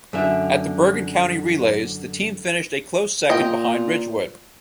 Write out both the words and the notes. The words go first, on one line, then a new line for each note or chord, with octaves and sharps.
At the Bergen County Relays, the team finished a close second behind Ridgewood.
F#2 D3 E5
A#2 D#5 G5